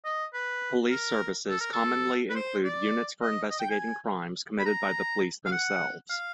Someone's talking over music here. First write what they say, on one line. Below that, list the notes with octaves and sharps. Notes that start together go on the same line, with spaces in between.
Police services commonly include units for investigating crimes committed by the police themselves.
D#5
B4
A#4
A4
A#4
A4
B4
C5
D5
D#5
D#5
G5
G#5
B5
A#5
F5
F#5
F5